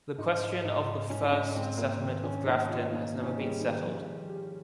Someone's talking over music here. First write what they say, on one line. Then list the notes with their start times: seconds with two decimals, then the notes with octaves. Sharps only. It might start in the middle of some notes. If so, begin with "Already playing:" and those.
The question of the first settlement of Grafton has never been settled.
0.18 G#2 D#4
0.64 G#2 D#4
1.10 G#2 C#4
1.22 D#4
1.33 C#4
1.55 G#2 C4
1.77 A#3
2.01 D#3 C4
2.24 C#4
2.46 A#3 D#4
2.69 F4
2.92 A#3 D#4
3.15 D#4
3.22 C#4
3.29 D#4
3.38 G3 G#4
3.61 D#3
3.84 F3
4.30 G4